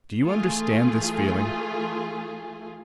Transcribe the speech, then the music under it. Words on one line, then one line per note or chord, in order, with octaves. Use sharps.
Do you understand this feeling?
E3 A3 F4 G#4